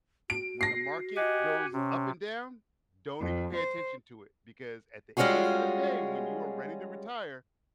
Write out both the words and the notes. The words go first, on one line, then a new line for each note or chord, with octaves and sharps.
When the market goes up and down, don't even pay attention to it, because at the end of the day, when you are ready to retire,
F#4 D7
A#6 C7
G4 D#5 F#5 G#5
C3 C#4
F2
C5
G3 G#3 C#4 F4 F#4 G#4